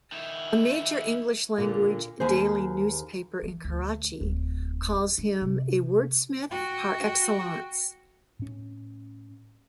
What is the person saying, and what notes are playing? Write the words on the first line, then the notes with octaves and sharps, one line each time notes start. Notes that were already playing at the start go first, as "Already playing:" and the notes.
A major English language daily newspaper in Karachi calls him, "a wordsmith par excellence".
D#3 E4
A#2 D3
D#2 G#4 C5
E3
D2
D1
D4
C3
F#4 G5
A2 C#4